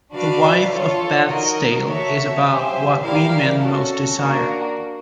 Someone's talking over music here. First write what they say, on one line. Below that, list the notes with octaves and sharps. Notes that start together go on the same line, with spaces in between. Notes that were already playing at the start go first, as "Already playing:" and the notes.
"The Wife of Bath's Tale" is about 'What women most desire'.
D4 F#4 B4 D5 F5
F4 A4 C#5
D#4 F#4 A#4 D#5
F#4 A4 C#5 E5
G4 C5 E5 G#5
E4 G4 A#4 D5 F5
C#4 F#4 A4
A#3 D4 F#4 A#4